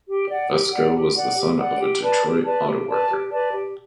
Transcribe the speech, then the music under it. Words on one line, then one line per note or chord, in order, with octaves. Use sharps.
Vesco was the son of a Detroit autoworker.
G4
D5 F#5
G4
D5 F#5
G4
D5 F#5
G4
D5 F#5
G4
B4 D5 A5
G4
B4 D5 A5
G4
B4 D5 A5
G4
B4 D5 A5
G4